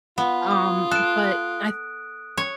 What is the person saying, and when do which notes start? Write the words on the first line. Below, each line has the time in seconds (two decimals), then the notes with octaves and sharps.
um, but I
0.18 B3 F4
0.51 D#6
0.91 A4 F#6 D7
2.37 C#5